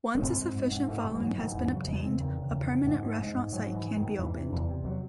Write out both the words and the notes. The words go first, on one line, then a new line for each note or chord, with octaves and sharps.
Once a sufficient following has been obtained, a permanent restaurant site can be opened.
A3
G#2 C4
G#2
G#2
G#2
G#2 A3
G#2 G#3
E3
G#2 F#3
G#2 D#3
E2 E3
E3
C#3 F#3
E2 G#3
C#3 C4
E2 D#3
C#3
E2
C#3
G#2
G#2
G#2
G#2
G#2 F#3
F#3
G#2 E3
G#2
D#3
G#2
E2 E3
C3
E2
C3
F#3